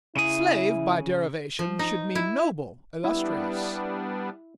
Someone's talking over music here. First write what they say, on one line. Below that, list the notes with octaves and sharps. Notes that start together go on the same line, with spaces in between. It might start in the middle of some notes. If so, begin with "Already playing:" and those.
Slave by derivation should mean noble, illustrious.
C#3 E4 G#4
F3
D#4
E4
G3 B3 D4 E4